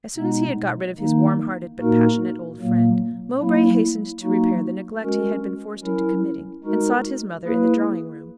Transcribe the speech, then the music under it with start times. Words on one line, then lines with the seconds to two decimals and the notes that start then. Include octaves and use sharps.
As soon as he had got rid of his warm-hearted but passionate old friend, Mowbray hastened to repair the neglect he had been forced into committing, and sought his mother in the drawing-room.
0.17 B2 G#3 B3 D#4
0.98 D#3 A#3 D#4
1.79 A#2 A#3 D#4 F#4 A#4
2.61 A#2 F#3 A#3
3.41 F#3 A#3 E4
4.22 F#3 A#3 D#4 F#4
5.03 G#3 C#4 F#4 A#4
5.83 F#3 C#4 E4 A#4
6.64 G#3 D#4 F#4 A#4
7.45 A#3 E4 G#4 B4